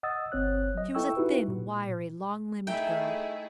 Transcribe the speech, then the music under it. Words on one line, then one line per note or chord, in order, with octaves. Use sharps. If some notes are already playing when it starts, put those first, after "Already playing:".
She was a thin, wiry, long-limbed girl.
D#5 F#5 D#6 E6 A6
G1 C4 C#5 F#6
F#3 D#5
E4 A4 G5 C#6 E6
D#4 E4 F#4 G4 B4
A#2
A3 D#4 E4 G#4 E5 G5 G#5